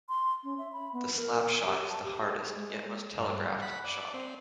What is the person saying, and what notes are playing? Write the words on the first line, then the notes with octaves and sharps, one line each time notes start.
The slapshot is the hardest, yet most telegraphed, shot.
C6
C#4
E5
B5
B3
A#4
G4
A5
G4
G#4
G#3
G2
F#5 B5
D5
C4